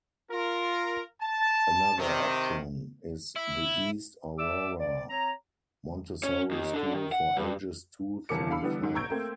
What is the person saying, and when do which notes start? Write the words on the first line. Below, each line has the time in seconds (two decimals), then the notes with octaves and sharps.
Another option is the East Aurora Montessori School for ages two through five.
0.31 F4 A#4
1.22 A5
1.98 C3 D#3
3.36 E4
4.39 D5 E5 D6 E6
4.80 D5
5.10 C4 C#5 A#5
6.23 C#4 C#5
6.51 D#2 D#3
6.74 D4 A4
6.94 D#3
7.12 F#5
7.37 G2
8.29 G1 E2 C3 A#4 D6 C#7
8.50 D3 F5 B5 E6
8.62 D3 E3 G3 B3
8.82 G#2 D#3
8.95 A#5 C#6 E6 G6 G#6 D7
9.10 A3 A#3 C4